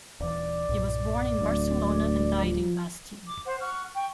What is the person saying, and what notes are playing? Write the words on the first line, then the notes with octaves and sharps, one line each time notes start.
He was born in Barcelona and died in Bastia.
D#1 E3 D5
B1 G2 A#2
D1 D2 F#3
F3
D6
C5 F#5
F#5 C#6 F6
G5 C#6